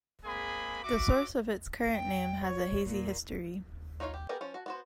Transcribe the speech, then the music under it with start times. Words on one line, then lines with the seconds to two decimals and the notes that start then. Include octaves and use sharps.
The source of its current name has a hazy history.
0.25 G#3 A#3 C4 G#4 G#5 B5
0.84 F#4 E5 D6
1.94 G5
2.43 C#5
2.85 A#2
4.00 D#4 F4 C#5 E5 F5
4.14 G4
4.29 B3 G4 G#4 A#4
4.41 F3 C#4
4.54 F#4 A5
4.66 B3 F#4 C5